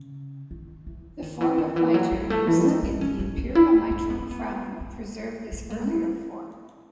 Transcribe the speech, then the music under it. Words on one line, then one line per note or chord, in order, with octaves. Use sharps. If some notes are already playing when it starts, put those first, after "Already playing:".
The form of mitre used in the imperial mitral crown preserved this earlier form.
Already playing: C#3
D#3
E3
D#3
E3
D#3
E3
F#3
F#3
A3
E3
D#4
D#4
C#4
C#4
C#4
E4
E4
B3
C#4
B3
B3
A3
G#3
E4